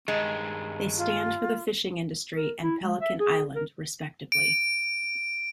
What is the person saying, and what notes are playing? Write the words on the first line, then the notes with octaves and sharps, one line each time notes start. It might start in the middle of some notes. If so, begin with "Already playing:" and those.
They stand for the fishing industry and Pelican Island, respectively.
G2 D#3 G#3
F4
A#4
E4
G#3
E5
G#4
A#4
D7